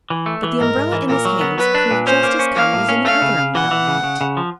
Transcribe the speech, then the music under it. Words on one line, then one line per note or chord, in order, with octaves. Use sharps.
But the umbrella, in his hands, proved just as common as any other umbrella might.
E3
A3
E3
G#2 A#4
G#2
E3
A#2 A#4
F#3
B3
F#3 B4
D4
A#2
C#4 C5
A#3
C#4
A#3 F5
A2
C#4
A3 F5
C#3
C#3
E3 F#5
E3
C#3
C#3
C#3
F3